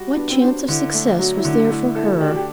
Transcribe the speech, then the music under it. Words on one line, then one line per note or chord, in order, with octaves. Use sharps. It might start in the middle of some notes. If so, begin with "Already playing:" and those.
What chance of success was there for her?
Already playing: G3 F#4
B3 D4
C4
D4 C5
D3 E4
A3
F#3 F#4
E4
D3
D4
A3 E4
E4
E4 A4
F#4
D4 G4
F#4
G4